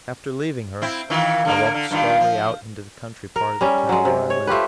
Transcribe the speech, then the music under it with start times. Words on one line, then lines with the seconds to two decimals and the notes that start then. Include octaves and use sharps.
After leaving her, I walked slowly out into the country part of the town where I lived.
0.82 C4 E4
1.10 D#3 E3 F4
1.45 D3 A#3 A#4
1.74 D3
1.91 G2 D#3 F4
2.20 F3
3.36 A#4
3.61 G3 C#4
3.89 F#3 G#3
4.05 C3
4.30 C#5
4.47 A3 F4 G4 B4